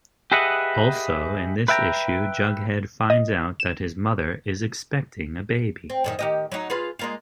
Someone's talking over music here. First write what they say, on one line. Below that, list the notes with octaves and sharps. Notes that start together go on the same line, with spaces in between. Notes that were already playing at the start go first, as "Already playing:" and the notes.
Also, in this issue Jughead finds out that his mother is expecting a baby.
G4 G#4 B4 D#5 E5 F#5
B4 E5 G5 A5 A#5
D#5
E7
C4
F#2 D3 D#3
D#3 G4 D#5
F#3 D#4
F4 G#4 B4
G#3 A#3 F4